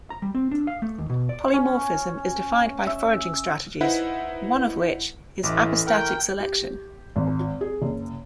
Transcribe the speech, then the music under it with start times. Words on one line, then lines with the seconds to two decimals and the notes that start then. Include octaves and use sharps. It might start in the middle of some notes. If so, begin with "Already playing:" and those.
Polymorphism is defined by foraging strategies, one of which is apostatic selection.
0.10 A#5
0.22 G3
0.35 C4
0.51 D4
0.67 F5
0.82 A3
0.98 D#2
1.10 B2
1.29 D5
1.54 C#4
2.87 E5
3.81 D#4 E4 B4 C5 E5 F#5
5.43 A1 E3 A3 D6 F#6
5.87 A#4 G5 F6
6.40 G4
7.16 G#1
7.61 G#4
7.82 F#1